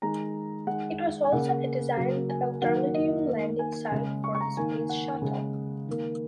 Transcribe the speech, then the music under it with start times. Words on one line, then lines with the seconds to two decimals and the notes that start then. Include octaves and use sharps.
It was also a designated alternative landing site for the Space Shuttle.
0.02 D#3 G#3 A#5
0.67 D#3 G#3 F#5
1.25 G#5
1.32 C#3 A#3 F#5
1.97 C#3 F#3 A#3
2.29 G#5
2.62 D#3 F#3 A#3 F#5
2.94 D#5
3.27 D#3 A#3
3.59 G#5
3.92 C#3 G#3
4.24 C#6
4.35 C#6
4.41 A#5
4.57 D#3 A#3 G#5
4.89 F#5
5.22 C#3 G#3
5.87 D#3 A#3